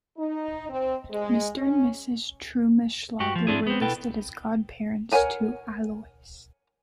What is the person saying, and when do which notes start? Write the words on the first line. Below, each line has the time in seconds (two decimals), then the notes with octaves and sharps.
Mr and Mrs Trummelschlager were listed as godparents to Alois.
0.17 D#4
0.69 C4
1.10 G#3
1.57 C#4
3.20 G2 F#4 G4
3.35 F3
3.47 G#2 C4 D4 E4 G#4
3.67 B3 C4
3.81 B2 E4 A4 B4 G5
5.12 A#4 C#5 F#5 G#5 A#5